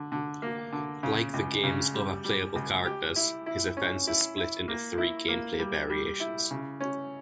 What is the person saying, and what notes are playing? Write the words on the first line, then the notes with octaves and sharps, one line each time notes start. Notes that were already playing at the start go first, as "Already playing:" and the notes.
Like the game's other playable characters, his offense is split into three gameplay variations.
Already playing: D3
D3
A#3
D3
C#3
C#2
C#3
G3
G3
C#2
G4
E4
E4
C#4
E4
E4
A#3
E4
A#3
G3
G3
E4
C#3
C#4